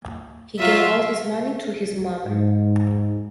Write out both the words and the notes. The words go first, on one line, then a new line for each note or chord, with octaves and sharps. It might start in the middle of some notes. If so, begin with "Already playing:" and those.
He gave all his money to his mother.
F#3 F4 E5
G#2